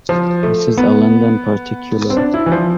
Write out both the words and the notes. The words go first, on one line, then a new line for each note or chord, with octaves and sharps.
This is a London particular.
F3
A3
B3
C4
D4
E4
E3
F3